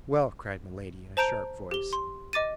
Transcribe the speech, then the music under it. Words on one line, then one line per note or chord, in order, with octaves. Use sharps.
"Well," cried Milady, in a sharp voice.
C5 A5 A#5 G6 D7 F7
G4 G7
C6
D#5 D6 A6 D#7